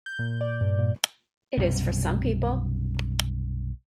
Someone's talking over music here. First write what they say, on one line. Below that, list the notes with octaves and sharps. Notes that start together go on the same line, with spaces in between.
It is for some people.
G6
A#2
D5
G2
A#2
B1 F#2 C3 G3